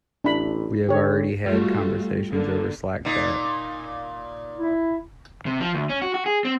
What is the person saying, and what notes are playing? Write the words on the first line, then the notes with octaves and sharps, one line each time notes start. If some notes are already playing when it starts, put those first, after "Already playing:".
We have already had conversations over Slack chat.
A1 D4 E4 B5
D3 G4 C#5
G3 A3 F4 F#4
D3 A#3
A#2 D#4
E4
C3
F3
D2
C#4
F#4
F#4
G#4
C4